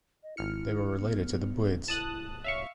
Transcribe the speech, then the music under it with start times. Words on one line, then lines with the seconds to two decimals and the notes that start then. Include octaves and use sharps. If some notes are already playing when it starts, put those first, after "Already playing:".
They were related to the Buyids.
0.23 D#5
0.37 G#1 E4 F6 C#7
0.99 B3
1.88 E4 A5 D#6 F#6
2.44 C#5 E5 F5 C#6